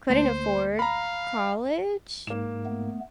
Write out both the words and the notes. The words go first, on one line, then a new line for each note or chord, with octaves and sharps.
couldn't afford college,
D2 A3 A#3 C5
F5 A#5 B5
G#2 A#3 E7
A3 B3